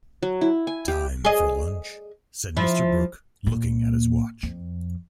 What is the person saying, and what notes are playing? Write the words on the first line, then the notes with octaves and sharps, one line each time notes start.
"Time for lunch," said Mr. Brooke, looking at his watch.
F#3
E4
G#5
G4
G#4 D#5
F3 E4
A#2
F2